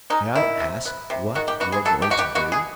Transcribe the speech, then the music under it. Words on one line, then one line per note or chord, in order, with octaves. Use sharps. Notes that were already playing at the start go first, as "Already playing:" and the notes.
"May I ask what you are going to do?"
G#3 D#4
D#3 E4
C3
B3
C3
D#3 F#4
G4
B3 F#4
G#4
F#3 A4
G4
B2 F#4
G4
B2 F#4
G#4